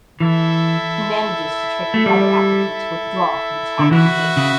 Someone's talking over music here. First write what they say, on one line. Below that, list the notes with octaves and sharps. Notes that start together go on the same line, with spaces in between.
He manages to trick the other applicant to withdraw from the top University.
E3 E4 A4 E5
A3
G3
D3
E3 F#4 B4 E5
C#3